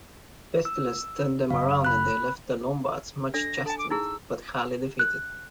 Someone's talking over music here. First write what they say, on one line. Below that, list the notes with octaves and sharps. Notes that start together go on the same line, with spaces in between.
Pestilence turned them around and they left the Lombards much chastened, but hardly defeated.
E6
F#1 C#3 F5
B5 F#6
D4 A4 D5 A#6
A4 G#5 A5
D6
D#4 E4 G#4 E6
F#6